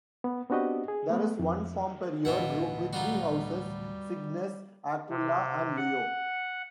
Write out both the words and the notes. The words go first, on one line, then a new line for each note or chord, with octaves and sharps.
There is one form per year group with three houses: Cygnus, Aquilla and Leo.
B3
B3 C4 D4 F#4 G4 D#5
G#4
A3 B3
F2
D1 E2 B2 F3 F4 E5 F#5
G3 D#4 F4 F#4
C3
F#5